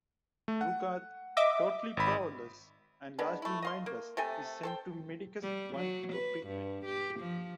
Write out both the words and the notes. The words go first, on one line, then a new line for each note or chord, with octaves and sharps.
Rugarth, totally powerless, and largely mindless, is sent to Medicus One for treatment.
A3
F#5
D#5 E5 D6
G#1 B5
G#3 B3 D4
A3 E4
D#5 F5 C6
A#3
C3 A3 A4 G#5
A4 C5 G5
G3
F#3
B4
G2
G4
F3